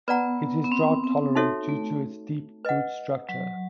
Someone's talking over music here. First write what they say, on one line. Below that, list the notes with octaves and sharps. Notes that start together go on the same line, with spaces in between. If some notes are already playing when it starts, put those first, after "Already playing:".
It is drought tolerant due to its deep root structure.
B3 B4 D5 F#5 A#5
B3
C4
B3
D#4 F#4 A4 C#5 E5
A3
B4 D#5 F#5
F#3